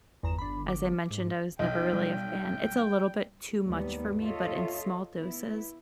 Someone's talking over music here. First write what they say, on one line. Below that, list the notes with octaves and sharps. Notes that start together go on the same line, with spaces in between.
as I mentioned, I was never really a fan. It's a little bit too much for me, but in small doses,
G1 E2 A#5 E7
D4 B5
D6
G#2
B1 D#5 G5
G3
D#2 G#2 G3 A#3 B3
F4 A4 C#5 D#5 E5
B3 E4